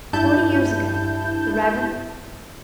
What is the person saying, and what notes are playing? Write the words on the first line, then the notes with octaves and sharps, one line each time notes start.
Forty years ago, the Rev.
G2 E4 A5 G6